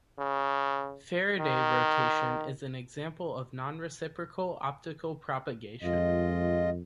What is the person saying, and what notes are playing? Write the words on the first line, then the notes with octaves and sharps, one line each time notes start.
Faraday rotation is an example of non-reciprocal optical propagation.
C#3
D#3
F2 G#3 F4 D#5